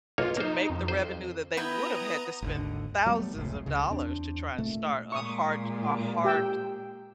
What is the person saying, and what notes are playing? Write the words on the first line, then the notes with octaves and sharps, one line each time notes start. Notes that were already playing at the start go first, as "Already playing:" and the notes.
to make the revenue that they would've had to spend thousands of dollars to try and start a hard a hard
B1 A#3 F4 C#5
A#3 D#4 C5
F2
C5
B3 E4 G5 A#5 B5 D#6
G#1 D#2 D3
F#3 G3 A3 B3
F1 C#2 A2
C#2 C#3
E2 C4 D4
A#2 A3
A#2 G#3 C#6 D#6
G4 G5 E6